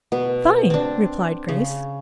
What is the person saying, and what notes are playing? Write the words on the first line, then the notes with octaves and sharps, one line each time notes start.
"Fine," replied Grace.
B2 B3
C4 D4
C#3